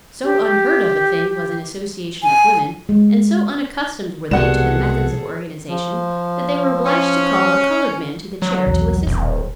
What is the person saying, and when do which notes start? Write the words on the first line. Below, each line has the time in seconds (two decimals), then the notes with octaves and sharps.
So unheard of a thing was an association of women, and so unaccustomed were they to the methods of organization, that they were obliged to call a colored man to the chair to assist them.
0.24 G4
2.23 G#5
2.89 G#3
4.31 C2 B2 G3 G#4 A4 F#5 E7
5.68 F3
6.86 C#4
8.42 F#3
8.66 B1 E2
9.07 D#1